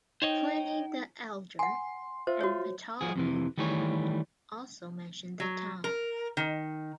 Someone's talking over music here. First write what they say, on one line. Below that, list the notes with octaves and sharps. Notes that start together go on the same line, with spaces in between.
Pliny the Elder and Ptolemy also mention the town.
D#4 C5 C#5 D#5 G5
F#5 G#5 C6
F4 C5 E5
F#4 C#5
F3 F#4 G#4
F2 C3 E3
D#3 E3 G3 A3 G#4 C#5
F#3
A#4
D#3